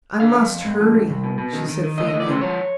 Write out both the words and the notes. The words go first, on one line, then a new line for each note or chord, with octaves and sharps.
"I must hurry," she said faintly.
D3 F5
F2
F2
G#2
F3
G#2
C2
B2
B2
D#3
D#3
D#3
D2 D#5
D2 D#5
D5
C#3 C5
F3 C#5